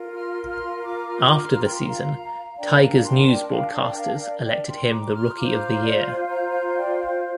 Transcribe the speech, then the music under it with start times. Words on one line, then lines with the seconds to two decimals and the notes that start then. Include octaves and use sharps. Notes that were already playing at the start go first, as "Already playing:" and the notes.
After the season, Tigers news broadcasters elected him the Rookie of the Year.
Already playing: F4 A#4
0.15 C6 F6
0.50 C6 F6
0.85 A#5 D6
1.08 F6
1.19 A#5 D6
1.43 C6 F6
1.56 A#5
1.66 G5 C6
1.89 F5 A#5
2.59 D4 A#4 D5 G5
2.81 F5 A#5
3.05 G5 C6
3.28 D5 G5
3.51 F5
3.74 D5
3.89 G5
3.98 F5
4.21 D5
4.44 D5 G5
4.67 G5 C6
4.90 A#5 D6
5.14 C6 F6
5.36 F4 C5 A#5 D6
5.60 A#5 D6
5.83 D5
6.06 F5
6.29 F5 A#5
6.53 F5 A#5
6.76 D5 G5
6.99 F5